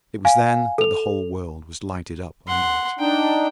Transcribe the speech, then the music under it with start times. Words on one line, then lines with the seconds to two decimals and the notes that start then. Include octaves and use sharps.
It was then that the whole world was lighted up under it.
0.25 F5 G#5
0.78 A4 F7
2.48 F#5 C6
2.99 D4 D#4 G5